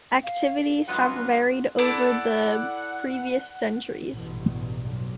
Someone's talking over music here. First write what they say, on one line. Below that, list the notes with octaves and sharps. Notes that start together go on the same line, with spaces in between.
Activities have varied over the previous centuries.
F5
G2 F#3 G#3 F4 B4 F#5
E4 A4 D5 F#5
A1 G2 B2
B1